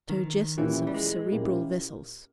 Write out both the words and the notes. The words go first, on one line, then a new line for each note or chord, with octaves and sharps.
Turgescence of cerebral vessels.
D#3
A#2 E3 A#3 C#4 E4 G4
G3
G#3
A#2 A#3 C#4 E4 G4